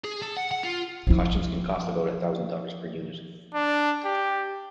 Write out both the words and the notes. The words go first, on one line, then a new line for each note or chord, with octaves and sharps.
Costumes can cost about a thousand dollars per unit.
G#4
A4
F#5
F#5
F4
F3 E4
D4
G4